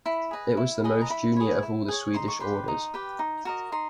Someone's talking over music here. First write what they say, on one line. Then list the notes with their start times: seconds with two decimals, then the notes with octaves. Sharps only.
It was the most junior of all the Swedish orders.
0.06 E4 B5
0.31 G#4 B4 D#5
0.57 E4
0.84 G#4 B4 D#5
1.01 A#5
1.10 E4 B5
1.36 G#4 C#5
1.62 E4
1.88 G#4 C#5
2.14 D#4 C6
2.28 C#6
2.40 G4 B4 C6
2.68 D#4
2.94 G4 B4
3.19 D#4
3.45 F#4 A#4 D#5
3.72 D#4 C6